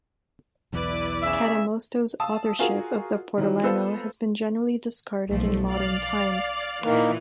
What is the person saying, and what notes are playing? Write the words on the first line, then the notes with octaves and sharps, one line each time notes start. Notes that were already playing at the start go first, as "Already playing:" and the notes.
Cadamosto's authorship of the portolano has been generally discarded in modern times.
B1 E2 E4 B4 D5
C#3 E5
F5 A5 D#6 E6
F4 F#4 G#4 A#4 F#5
D#3 E3 F#3
B3 F4 A4 B4 C5
B1 F3 A3
D5 F5
A#2 D#3 E3 A#3